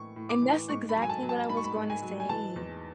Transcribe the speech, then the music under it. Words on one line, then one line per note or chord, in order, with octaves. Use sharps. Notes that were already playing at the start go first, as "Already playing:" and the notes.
And that's exactly what I was gonna say.
Already playing: A2 E3 C#6
A2
D6
E3
G#2 C#6
B5
F#3
G#5
A5
F#3
A5
G#2 B5
C#6
B5
G#2
G#5
F#3
G#5
E3 A5
E2